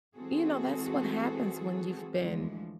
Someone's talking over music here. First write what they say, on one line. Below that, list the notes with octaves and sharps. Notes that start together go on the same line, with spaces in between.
you know, that's what happens when you've been
E3 G#3 C4 F#4 G#4 A4
D2 E3 F3 G#3